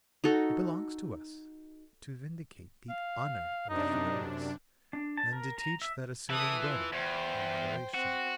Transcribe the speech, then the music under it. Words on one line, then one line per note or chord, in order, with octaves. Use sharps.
It belongs to us to vindicate the honor of the human race, and to teach that assuming brother, moderation.
D#4 F#4 A4
F5
F#2 C3 D4 D#4
D4
A5
A#4
A#5
E5
E3 A4 D#6
F4
E2 C5 G5
C4 F#4